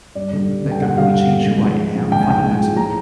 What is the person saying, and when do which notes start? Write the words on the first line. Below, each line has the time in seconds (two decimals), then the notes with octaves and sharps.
that could really change who I am fundamentally.
0.15 G2 D5
0.33 D3 G3
0.49 G2
0.65 D3 G3
0.71 G5
0.81 G2 F#5
0.97 D3 G3 F5
1.13 G2 F#5
1.30 D3 G3
1.46 G#2
1.63 F3
1.79 G#2
1.95 F3
2.11 G#2 G5
2.22 G#5
2.28 F3 G5
2.44 G#2
2.61 F3
2.77 A2 A#5